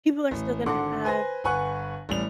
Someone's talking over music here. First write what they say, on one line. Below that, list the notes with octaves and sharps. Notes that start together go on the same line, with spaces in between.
people are still gonna have
A1
G#1 D3 A4 F#5 C6 D6
B4 C5 G#5 C6 A#6
G1 B4 F#5 G#5 C#6 F#6
A1 G3 F7